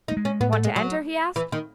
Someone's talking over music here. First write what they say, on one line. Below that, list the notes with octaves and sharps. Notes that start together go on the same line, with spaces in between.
"Want to enter?" he asked.
D#4
A3
G#3
C#4
A2 B3
A3
G#3
F#3
E3
D#3